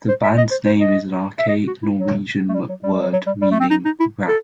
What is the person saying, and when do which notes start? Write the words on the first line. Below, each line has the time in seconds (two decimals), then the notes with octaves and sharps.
The band's name is an archaic Norwegian word meaning "Wrath".
0.08 C5
0.23 E5
0.37 D#5
0.51 C5
0.65 C5
0.80 D#5
1.39 E5
1.48 D#5
1.67 F#4
1.82 E4
1.97 F#3
2.48 A3
2.54 G3
2.69 F#3
2.83 G3
2.93 G3
3.02 F#3
3.12 F#3
3.26 G3
3.41 G3
3.51 A3
3.60 C4
3.70 D#4
3.85 D#4
4.00 E4
4.28 A4